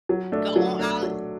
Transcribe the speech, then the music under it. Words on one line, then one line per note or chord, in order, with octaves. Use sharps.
Go on out
F#3
A3 D4
F#3
A3 D4
F#3